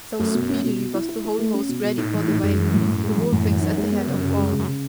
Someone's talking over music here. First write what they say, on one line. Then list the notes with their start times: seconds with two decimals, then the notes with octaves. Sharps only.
So speedily was the whole host ready for the way, the Wolfings at the head of all.
0.19 F#2 A3
0.35 B2
0.49 C#4
0.64 B2
0.80 B2
0.94 E4
1.09 E4
1.25 E4
1.39 A3
1.54 C#4
1.69 B2
1.83 B2
1.98 A2 D#4
2.14 E3
2.28 D#4
2.43 F#2 G#3
2.58 E3
2.74 A2
2.88 A2
3.03 G#3
3.17 E3
3.32 F#2 A2
3.47 E3
3.62 D#4
3.78 G#3
3.92 B3
4.07 C#3
4.22 C#3
4.37 G#3
4.52 C#3
4.59 F#2
4.67 C#3